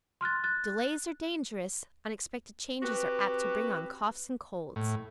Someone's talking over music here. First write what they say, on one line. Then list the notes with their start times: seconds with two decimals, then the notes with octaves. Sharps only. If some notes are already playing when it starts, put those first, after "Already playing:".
Delays are dangerous unexpected changes are apt to bring on Coughs and Colds.
0.21 C6 F6 F#6 A6
0.44 F#6 A6
2.83 C4 F#4 G4 B4
4.76 A2